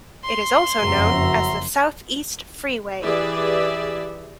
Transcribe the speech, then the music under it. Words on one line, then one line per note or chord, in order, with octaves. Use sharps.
It is also known as the Southeast Freeway.
C6
F#1 F2 F#4 E5 A#5
E3 G4 G#4 B4 D5 E5